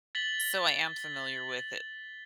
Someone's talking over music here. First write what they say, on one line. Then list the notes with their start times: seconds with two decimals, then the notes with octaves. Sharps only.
So I am familiar with it
0.15 A6 B6 F#7 G7